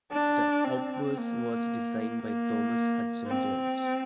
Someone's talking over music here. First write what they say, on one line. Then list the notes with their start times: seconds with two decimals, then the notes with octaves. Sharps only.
The obverse was designed by Thomas Hudson Jones.
0.12 D4
0.64 C4
1.18 A#3
2.22 A#3
3.27 C4